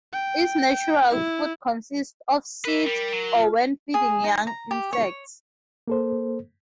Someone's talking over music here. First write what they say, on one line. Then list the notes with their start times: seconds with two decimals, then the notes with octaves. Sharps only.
Its natural food consists of seeds, or when feeding young, insects.
0.13 G5
1.11 E4
2.65 A#4 B4 E5
2.87 G3
3.13 F#3
3.35 F4
3.94 G#4
4.24 D#4
4.47 A#5
4.71 G4
4.93 C#5
5.88 A#3 A4 C5